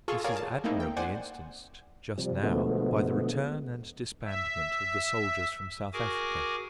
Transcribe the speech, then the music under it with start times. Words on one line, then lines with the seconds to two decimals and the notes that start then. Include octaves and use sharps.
This is admirably instanced, just now, by the return and disbandment of the soldiers from South Africa.
0.08 F4 G#4 A4 F5 C#6
0.24 G#4 A#4 C#5 D5 F5 G#5
0.36 A5
0.64 A3 A#3 C4 D#4 E4
0.80 G5
0.97 C5 D5 F#5 G#5
2.18 C3 F3 G3
2.43 B2 D3 F3 G#3 A3 B3
4.24 E5
5.93 F#4 G#4 A#4 G#5 D6